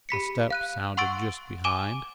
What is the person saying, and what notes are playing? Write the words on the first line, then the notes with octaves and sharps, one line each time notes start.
A step sounded just behind.
G4 B5 B6 C#7
F5 F#6 D#7
F#5 C6 C#6 E6 A6 D7
G#5 D6 D#7 E7 G7